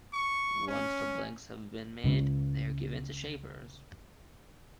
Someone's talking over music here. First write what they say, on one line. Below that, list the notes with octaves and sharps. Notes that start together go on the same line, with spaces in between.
Once the blanks have been made they are given to shapers.
C#6
C#4
C#2 C#3